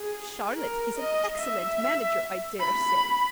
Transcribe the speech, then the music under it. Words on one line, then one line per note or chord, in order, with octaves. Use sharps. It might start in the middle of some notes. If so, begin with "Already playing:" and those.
Charlotte is an excellent manager, I dare say.
Already playing: G#4
A#4
D#5
E5
E5
B5